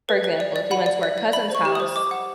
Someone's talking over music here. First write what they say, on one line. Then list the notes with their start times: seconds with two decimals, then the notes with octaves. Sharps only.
for example, if we went to our cousin's house
0.09 B4
0.24 B4
0.40 D5
0.56 D5
0.71 F#5 B5
0.86 D5
1.03 D5
1.18 D5
1.33 D#5 B5
1.50 C5 C#6
1.65 G4
1.75 D#6
1.80 C5
1.96 D#5 D6
2.11 F#5